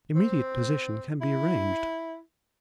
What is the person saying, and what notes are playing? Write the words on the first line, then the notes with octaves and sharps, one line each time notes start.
Immediate possession can be arranged.
C4
E4